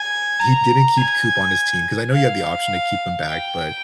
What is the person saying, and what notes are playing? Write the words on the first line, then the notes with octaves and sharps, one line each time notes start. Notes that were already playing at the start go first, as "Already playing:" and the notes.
he didn't keep Coop on his team, 'cause I know you have the option to keep them back, but
Already playing: G#5
A#5
G#5
F5
G5